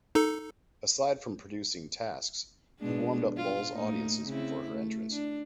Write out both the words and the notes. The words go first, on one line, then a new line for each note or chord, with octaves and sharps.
Aside from producing tasks, he warmed up Ball's audiences before her entrance.
D#4 A4
B2 G#3 D4
F4
A2 A#3 D#4
C#3 C4 E4
A3
D4